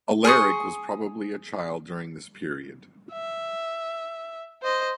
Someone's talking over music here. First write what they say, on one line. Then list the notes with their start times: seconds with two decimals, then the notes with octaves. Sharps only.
Alaric was probably a child during this period.
0.24 G#4 C6 C#6 D#6
3.12 E5
4.62 C5 D#5